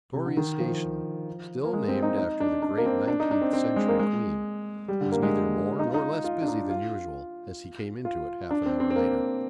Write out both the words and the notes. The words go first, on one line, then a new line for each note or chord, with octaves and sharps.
Victoria Station, still named after the great nineteenth-century Queen, was neither more nor less busy than usual as he came into it half-an-hour later.
C3
D3
D#3
F3
A#3
G#3
C4
D#4
D#4
D4
D4
A#3
C4
D4
D#4
D4
C4
C4
G#3
A#3
G#3
G3
D3
A#3
G#3
D#4
F4
D#4
F4
D4
D#4
F4
F4
D4
C4
C4
C4
A#3